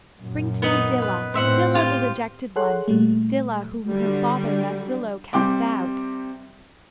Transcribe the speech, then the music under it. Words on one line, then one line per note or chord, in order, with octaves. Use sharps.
Bring to me Dilah, Dilah the rejected one, Dilah, whom her father Masilo cast out!
F#2 A#2
B3 D#4
B4
A2 C4 C5 E5 F#5
F4 G4
G#4 A4 C#5 F#5 C6 F#6
A#2 G3 A3
D3 F#3 G3
C3 G3 G5 C6 D6